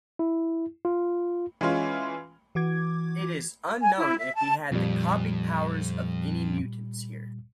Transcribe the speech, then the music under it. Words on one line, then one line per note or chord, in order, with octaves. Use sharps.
It is unknown if he had the copied powers of any mutants here.
E4
F4
E3 G#3 C#4 F4
E3 F#4 D6 G#6
G#5
E4
E5
A5
F2 A#2 G3